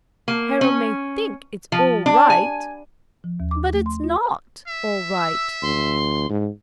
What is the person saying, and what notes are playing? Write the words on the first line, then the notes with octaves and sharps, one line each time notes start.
Harold may think it's all right; but it's not all right.
A#3
C#4
F3
D4
G#5
F3
D#2
D6
A3
C6
F4
E5
E6
D2 C6
G#2